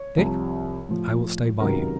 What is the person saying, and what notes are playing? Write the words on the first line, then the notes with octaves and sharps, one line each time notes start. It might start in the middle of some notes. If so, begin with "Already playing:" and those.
Dick, I will stay by you.
Already playing: C#5
C2 C3 F3
A2 F3
C#2 C3 D#3 F#3 A#4